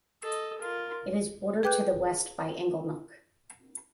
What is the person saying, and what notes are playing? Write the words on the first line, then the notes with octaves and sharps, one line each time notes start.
It is bordered to the west by Inglenook.
A4 D#5
F4 A#4
G#4 B4 G5 D6 F#6 G6